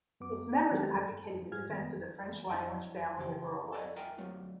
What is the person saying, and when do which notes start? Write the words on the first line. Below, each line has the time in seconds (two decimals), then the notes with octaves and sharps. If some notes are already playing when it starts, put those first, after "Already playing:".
Its members advocated the defense of the French language, family, and rural life.
0.20 F#2 B3 D6
0.53 D5
0.70 D#3 F#3 G#3 C4 G4 A4
1.11 G2
1.51 G#2 G3 F4 G#4 F6 G#6
1.70 D#3 B3
2.31 E2
2.49 D4 E4 D#5 G5
3.17 C#3 E3 G4
3.73 A4 D5 D#5
3.96 F4 A#4 E5 G5 G#5 A#5
4.18 F#3 A3 F4